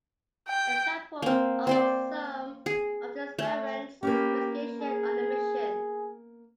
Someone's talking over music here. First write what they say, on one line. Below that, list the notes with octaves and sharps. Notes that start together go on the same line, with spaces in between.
Examples of some of the experiments and investigations on the mission.
G5
A#3 C4
C4 C5 D5
G#4
A3
A#3 B3 C#4 G4
G#4